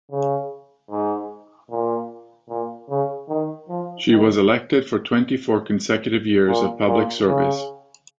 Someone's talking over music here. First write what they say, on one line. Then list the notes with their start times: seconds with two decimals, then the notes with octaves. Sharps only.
She was elected for twenty-four consecutive years of public service.
0.12 C#3
0.90 G#2
1.71 A#2
2.50 A#2
2.89 C#3
3.29 D#3
3.69 F3
4.10 D#3
6.48 A#2
6.87 A#2
7.27 C#3